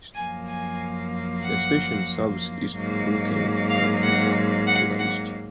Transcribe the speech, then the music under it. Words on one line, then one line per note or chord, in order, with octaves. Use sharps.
The station serves Eastbrookend Country Park to the east.
F#2 F3 A#3 G#5
G#5
F#5
G#2 F#3 A#3
F5
F#5
F#5
F#5